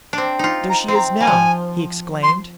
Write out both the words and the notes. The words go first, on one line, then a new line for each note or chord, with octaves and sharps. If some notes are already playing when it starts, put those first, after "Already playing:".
"There she is now!" he exclaimed.
C4 D4
D#4 F4
A#5
C4 C6
A#5
G3 G#5
F3
C6